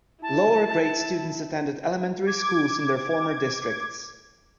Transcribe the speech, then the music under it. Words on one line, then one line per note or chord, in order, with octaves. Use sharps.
Lower-grade students attended elementary schools in their former districts.
E4 A5
D6 G#6